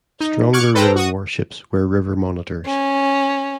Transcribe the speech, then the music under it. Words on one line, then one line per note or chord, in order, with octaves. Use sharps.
Stronger river warships were river monitors.
D#4
C#6 D6 F6 F#6 G#6 C#7
A4 B4 C5 G5 A#5
F#4 C#6 D#6
C#4